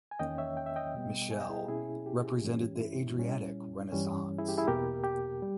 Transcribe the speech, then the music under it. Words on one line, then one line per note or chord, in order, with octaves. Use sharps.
Michele represented the Adriatic renaissance.
G#5
E2 D#3 A#3 C#4 D#5 G5
C#5 E5
G5
E5
D#5 G5
B2 G3 B3
E5 G#5
D#5 G5
E4 G#4
G4
B2 A#3 C#4 E4 G#4
G4
G2 E3 G#3 C#4
E4
A#2 G3 C#4
G2 E3 G3 C#4
E4 G#4
G4
E4 G#4
E2 B2 A#3 G4 A#4
G4
G3